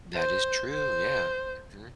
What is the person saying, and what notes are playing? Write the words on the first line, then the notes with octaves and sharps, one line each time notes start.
That is true, yeah, mhm.
C5
C5